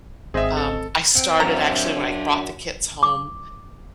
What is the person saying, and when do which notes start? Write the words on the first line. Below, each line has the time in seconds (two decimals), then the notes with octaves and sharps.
um, I started actually when I brought the kits home,
0.34 G#1 C4 G#4 D#5 E5
0.57 A4
1.15 C4 F#5 G5
1.40 F#2 D4 F5 A#5
3.03 D6